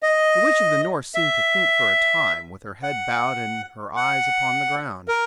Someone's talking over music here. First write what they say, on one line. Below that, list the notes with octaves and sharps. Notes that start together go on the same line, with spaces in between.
The Witch of the North seemed to think for a time, with her head bowed and her eyes upon the ground.
D#5
E5
F#5
F#5
A#4